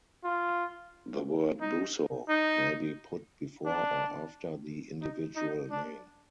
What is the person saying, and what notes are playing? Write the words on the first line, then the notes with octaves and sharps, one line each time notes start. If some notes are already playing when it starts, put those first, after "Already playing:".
The word "buso" may be put before or after the individual name.
F4
D#4
D#4
D4
D#4
D#4
D4